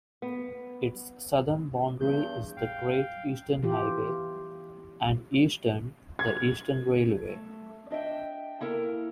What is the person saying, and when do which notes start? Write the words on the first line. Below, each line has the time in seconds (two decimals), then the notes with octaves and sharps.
Its southern boundary is the Great Eastern Highway, and eastern the Eastern Railway.
0.22 B3
1.56 C3 D#3
2.00 E2 G2 E3 G#3 G6
2.57 A1 E2 F5 G5
3.63 E3 F4 G4
6.19 G#6
7.29 A3
7.91 D4 D#5 E5 G5
8.60 A#3 E4 A4 A#4